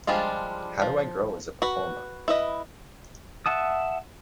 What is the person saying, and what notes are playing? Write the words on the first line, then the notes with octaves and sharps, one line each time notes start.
How do I grow as a performer?
F3 G3 G#3 D4 F4
F3
F#4 B4
E4 B4 D#5
E5 F#5 A5 D#6